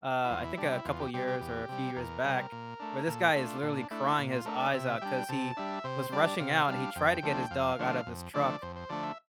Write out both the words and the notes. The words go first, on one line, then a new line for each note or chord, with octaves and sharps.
uh, I think a couple years or a few years back, where this guy is literally crying his eyes out 'cause he was rushing out and he tried to get his dog out of his truck
E4
E2 F4
E4
C3 G3 D4
E4
E2 F4
G4
C3 G3 G4
G4
E2
C3 G3
E2 A#4
C3 G3
A#2
A3 D4
A#2 A4
A3 D4 F4
A#2 D4
A3 D4 E4
A#2
F4
A3 D4 A#4
D5
C3 E5
G3 D4 G5
C3 A5
G3 D4 E5
C3 C5
G3 D4 D5
C3 F5
G3 D4
F2 G5
D3 F3 A3 D4
F2 F5
D3 F3 A3 D4
F2
D3 F3 A3 D4 D5
F2 C5
C5
D3 F3 A3 D4 D5
E5